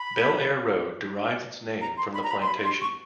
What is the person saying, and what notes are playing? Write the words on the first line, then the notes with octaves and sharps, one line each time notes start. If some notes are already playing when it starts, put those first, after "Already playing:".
Bell Air Road derives its name from the plantation.
Already playing: B5
A#5
C6
B5
A#5
B5
C6
B5
C6
C#6